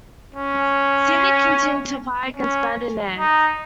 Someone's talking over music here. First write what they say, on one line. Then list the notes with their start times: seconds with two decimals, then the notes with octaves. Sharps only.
"Sydney" continued to fire against "Bande Nere".
0.35 C#4
2.36 C#4
3.18 D#4